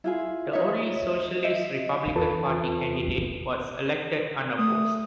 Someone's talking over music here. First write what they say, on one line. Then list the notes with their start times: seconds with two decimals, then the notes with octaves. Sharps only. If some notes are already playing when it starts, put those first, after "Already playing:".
The only Socialist Republican Party candidate was elected unopposed.
0.04 E4 F4 G#4
0.53 D#4 F4 C#5 E5
1.43 C5 D#5 E5
2.15 E2 F4 A4 B4 A5
4.58 A3 D#6